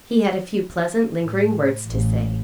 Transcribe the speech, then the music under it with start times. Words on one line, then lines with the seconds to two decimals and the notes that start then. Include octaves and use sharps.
He had a few pleasant, lingering words to say.
1.18 A2
1.87 A1